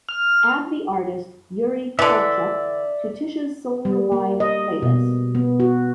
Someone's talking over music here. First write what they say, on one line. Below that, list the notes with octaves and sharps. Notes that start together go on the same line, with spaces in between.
Add the artist Jurij Szewczuk to tisha's soul revived playlist.
F6
D3 E3 D5 E5
G3
A#3
D#5
B2
B3
F#4